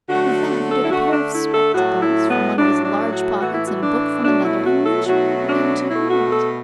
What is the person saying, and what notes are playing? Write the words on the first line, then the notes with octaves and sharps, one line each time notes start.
With that he took a pair of spectacles from one of his large pockets, and a book from another, and leisurely began to read.
D3 F#3 A3 F#4
F#4
F#4
A4
E4
D3 A3 F#4
D4
E4
A4
A2 F#3 A3 F#4
E4
B3
A2 F#3 A3 D4
D4
F#4
A2 E3 A3 F#4
E4
F#4
D4
B2 F#3 A3 D4
E4
F#4
A4
B2 F#3 A3 F#4
D4
B2 A3 E4
F#4
A4